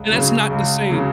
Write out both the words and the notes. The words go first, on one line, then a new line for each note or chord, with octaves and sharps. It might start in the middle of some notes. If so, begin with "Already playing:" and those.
and that's not to say
Already playing: C#2
C#3 F#3
C#2
C#3 F#3